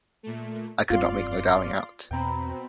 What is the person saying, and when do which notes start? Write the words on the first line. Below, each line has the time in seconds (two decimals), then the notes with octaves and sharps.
I could not make my darling out.
0.23 A#2 A3
0.90 F1 G2 C4 F4 D5 F5 C6
2.11 E2 B2 C4 G5 A#5 B5